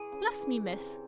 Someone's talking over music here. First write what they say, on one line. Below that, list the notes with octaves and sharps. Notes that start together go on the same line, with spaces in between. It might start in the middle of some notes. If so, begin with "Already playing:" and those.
'Bless me, miss!
Already playing: E3 G#4
C#3
E3
C3